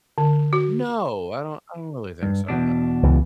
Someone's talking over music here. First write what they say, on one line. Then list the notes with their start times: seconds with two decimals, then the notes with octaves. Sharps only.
No, I don't I don't really think so, no.
0.18 D3
0.53 F#4
2.23 G2
2.48 E2 B2 D4
3.03 C#2 E3